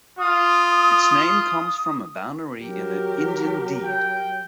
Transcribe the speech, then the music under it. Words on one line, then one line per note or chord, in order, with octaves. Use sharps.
Its name comes from a boundary in an Indian deed.
F4 D#6
F#3 G4 A#4
G5